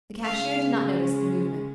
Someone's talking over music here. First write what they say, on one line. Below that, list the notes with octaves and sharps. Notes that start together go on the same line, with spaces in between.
The cashier did not notice the movement.
C#3 G#3 C#4 F5